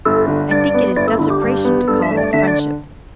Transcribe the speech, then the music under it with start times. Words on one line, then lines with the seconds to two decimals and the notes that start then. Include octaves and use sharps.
I think it is desecration to call that friendship.
0.06 G1 A4
0.28 D3
0.51 G2 D5
0.74 B3
0.96 G1 D5
1.08 A4
1.19 D3 E4
1.30 G4
1.42 G2
1.65 B3
1.88 G2 A4
2.02 E5
2.10 A3
2.17 D5
2.33 D3 E5
2.48 D5